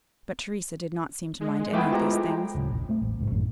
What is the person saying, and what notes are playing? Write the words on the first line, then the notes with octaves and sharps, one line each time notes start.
But Theresa did not seem to mind any of these things.
G#3
A3 B3 E4 B4 G5 D6
F3 G4 A#5
D1 C#3
E1 A#1
G#3 A3 C4
D#1 A1
D1 C2 G#2 G#3
A1 F#2 A2 D#3